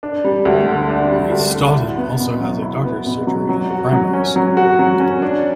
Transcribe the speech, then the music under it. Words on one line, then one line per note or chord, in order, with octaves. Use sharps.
Great Staughton also has a doctor's surgery and a primary school.
D4
G3
D2
D3
D4
G3
D2
D3
E4
B3
B2
F#3
E4
B3
B2
F#3
F#3
F#4
F#3
C#4
F#3
F#4
F#3
C#4
D4